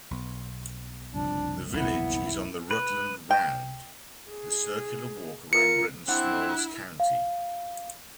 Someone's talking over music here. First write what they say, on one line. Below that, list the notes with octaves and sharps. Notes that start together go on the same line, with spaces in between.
The village is on the Rutland Round, the circular walk around Britain's smallest county.
B1 B2
F#1 C2 F3 D4
B1 E2 B3 E4
B4
G5
G#4
F4 A#4 C#7
C4 D4 E4 F#5 F#6
F5